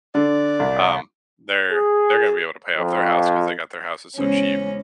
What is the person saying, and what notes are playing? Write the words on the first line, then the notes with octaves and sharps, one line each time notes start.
um, they're they're gonna be able to pay off their house 'cause they got their houses so cheap,
D3 D5
C2
G#4
F2
E2 C#3 G#3 C#4 C5